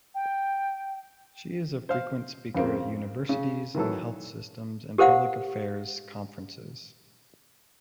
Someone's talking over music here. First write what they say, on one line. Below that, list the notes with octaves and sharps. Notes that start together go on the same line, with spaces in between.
She is a frequent speaker at universities and health systems and public affairs conferences.
G5
C5 F5
F2 C#3 A#3 C4
C#3
D#3 E3 F#3 A4
G4 A#4 C5 F5 F#5